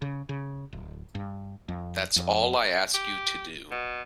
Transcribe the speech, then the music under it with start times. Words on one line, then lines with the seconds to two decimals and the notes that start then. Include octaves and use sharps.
That's all I ask you to do.
0.02 C#3
0.29 C#3
0.73 D1
1.15 G2
1.68 F2
2.16 F2
2.94 G4
3.71 B2